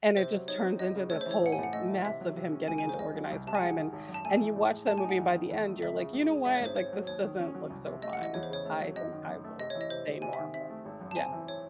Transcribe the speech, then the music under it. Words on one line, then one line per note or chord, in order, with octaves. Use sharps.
and it just turns into this whole mess of him getting into organized crime and and you watch that movie and by the end you're like, "You know what, like, this doesn't look so fun. I think I will stay normal." Yeah.
C3 C5
F#3
D#4 C#5
C4
F#2 D#5
C#3
A3 C#5
C5
E3
C#5
A1 F#5
G#5
A2
F#5
A3 D#5
E3
C3 E5
F#3
C3
C#4
C#2 G#5
G#5
C#3
C5
C#2 D#5
F#3
C2
C3 A5
G#5
G#3 F#5
D#3
G#1
F#2
A5
A3 G#5
E3
A2
G#3
A2 A5
G#5
D#4 F#5
E2
D#3
E2
A3
C#2 E5
C#3
C#2
G#3
G#1 E5
C#5
G#2
C5
C4 C#5
F#3
D#2 C#5
D#3
C#4
F#3
C2
C3
A3 D#5
F#5
E3
D#5
E2 C#5
C5
C#3 C#5
A3
F#3
F#2 D#5
D#3
F#2
A3
C3 D#5
C#5
E3
D#5
C3 C5
G#3
C3 G#5
E5
D#3
C4 E5
A3
G#1
F#2
A5
C4 G#5
E3
C#5